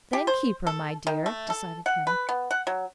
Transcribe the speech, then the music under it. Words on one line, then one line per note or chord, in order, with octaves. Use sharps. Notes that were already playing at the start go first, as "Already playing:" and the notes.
"Then keep her, my dear," decided Kenneth.
G4
C5
A4
D#3
A3
A4
F#5
B4
B3
F#5
F#3